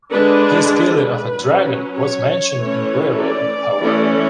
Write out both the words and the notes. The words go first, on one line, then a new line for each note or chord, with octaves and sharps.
His killing of a dragon was mentioned in "Beowulf", however.
D3 G#3 D4 B4
B4
F#3 C#4
C#5
E3 A3 C#4
D5
E3 A3 C#4